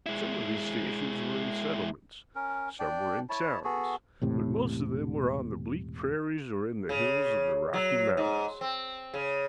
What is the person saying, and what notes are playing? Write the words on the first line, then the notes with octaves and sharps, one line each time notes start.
Some of these stations were in settlements, some were in towns, but most of them were on the bleak prairies or in the hills of the Rocky Mountains.
G#3 E4
C#4 A#4
D4 D5 G5
E4 C#5 A5
B3 F#4 G#4 A4
E1 A2 C3
C#3
F#3
G#2
C4
C#3